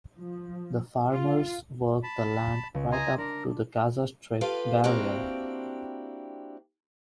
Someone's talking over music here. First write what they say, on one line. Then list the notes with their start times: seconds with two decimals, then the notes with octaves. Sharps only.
The farmers work the land right up to the Gaza Strip barrier.
0.17 F3
1.12 F4
2.03 A5 B5
2.74 C#2
2.92 D#5 G#5 A#5 C6
3.18 D4 A#4
4.41 F4 G4 A4 B4 F5
4.84 A#3 C4 D4 E4 F#4 G4